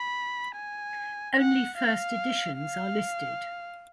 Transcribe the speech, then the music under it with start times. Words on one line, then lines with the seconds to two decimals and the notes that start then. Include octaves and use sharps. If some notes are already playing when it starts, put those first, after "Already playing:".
Only first editions are listed.
Already playing: B5
0.56 G#5
1.37 F#5
1.78 F5
2.58 F5